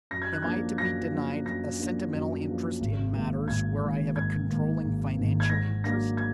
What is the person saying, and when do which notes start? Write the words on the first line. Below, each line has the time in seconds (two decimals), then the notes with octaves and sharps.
Am I to be denied a sentimental interest in matters where I have a controlling financial interest?
0.11 F#2 A#6
0.22 G#6
0.33 F#6
0.42 F3 A#3 D4 G#6
0.78 F#2 A#6
1.12 F3 A#3 D4
1.45 F#2 A#6
1.79 F3 A#3 D4
2.13 F#2
2.47 F3 A#3 D4
2.80 G#1
3.14 G#2 D#3 A#3
3.48 G#1 G#6
3.81 G#2 D#3 A#3
4.15 G#1 G#6
4.49 G#2 D#3 A#3
4.83 G#1
5.16 G#2 D#3 A#3
5.40 G#6
5.50 G#2 A#6
5.84 F#3 A#3 D4 A#6
6.17 G#6